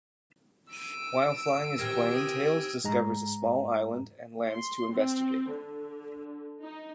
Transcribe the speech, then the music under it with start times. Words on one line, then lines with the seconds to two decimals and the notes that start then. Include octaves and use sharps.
While flying his plane, Tails discovers a small island and lands to investigate.
0.73 E6 D7 D#7
1.78 D#3 E3 C4 G4 F6 G#6 A#6
2.14 D#6 D#7
2.84 G#2 G#3 A#5
4.52 C6
4.94 C4
5.52 D3
6.62 D#4